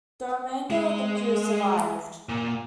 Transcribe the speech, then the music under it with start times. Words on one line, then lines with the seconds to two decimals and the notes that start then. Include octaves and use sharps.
The remainder of the crew survived.
0.70 G#3
2.29 A#2